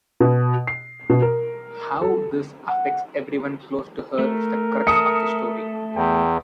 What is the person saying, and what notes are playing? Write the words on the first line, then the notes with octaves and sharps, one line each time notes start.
How this affects everyone close to her is the crux of the story.
B2
C7
B2
A#4
A4
F#5
A3 A#4
A3 A4 D#6 C#7
E2 G5